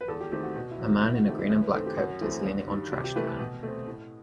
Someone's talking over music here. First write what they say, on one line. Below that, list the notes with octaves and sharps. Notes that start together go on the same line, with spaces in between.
A man in a green and black coat is leaning on trashcan.
B4
E2 A4
G4
D#3 A3 C4 G4
F#4
B2 F#4
E4
F#3 C4
D#4
C3 E4
F#4
D#3 A3 C4 G4
E4
F#2
B4
D#3 A3 C4 A4
G4
F#2 F#4
E3 A3 C4
G2
D#3 G3
C3 G4
G4
E3 A3 B4
A4
B2
A3 C4
A2